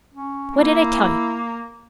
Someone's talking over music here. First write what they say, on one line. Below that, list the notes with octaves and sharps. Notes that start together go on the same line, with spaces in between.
What did I tell you?
C#4
A#3 E4